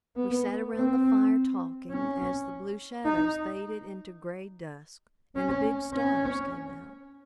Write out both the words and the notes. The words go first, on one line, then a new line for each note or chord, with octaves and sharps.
We sat around the fire talking as the blue shadows faded into gray dusk and the big stars came out.
B3
C4
C#4
D#4
C#4
C#4